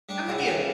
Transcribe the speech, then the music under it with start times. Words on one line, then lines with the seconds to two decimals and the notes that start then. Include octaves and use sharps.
How 'bout you?
0.09 G3 D4
0.28 C#3 E4
0.38 F#4
0.47 C#4 G4